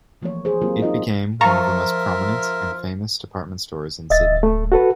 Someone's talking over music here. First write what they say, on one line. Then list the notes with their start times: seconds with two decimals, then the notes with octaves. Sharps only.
It became one of the most prominent and famous department stores in Sydney.
0.22 E3 F3 A3 A#3 C#5
0.45 G#4 C5
0.62 F#3 A#3 C4 F4 G4 A#4
0.82 D#4 F4 D#5
1.41 F3 F4 A#4 E5 F5 A5 A#5 C#6
4.10 D1 D#5 E5 A6
4.43 A3
4.72 F#4 A4 B4